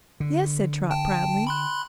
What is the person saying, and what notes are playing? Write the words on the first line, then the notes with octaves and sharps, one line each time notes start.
"Yes," said Trot, proudly.
D3
G5 A5
B5 C6 F#6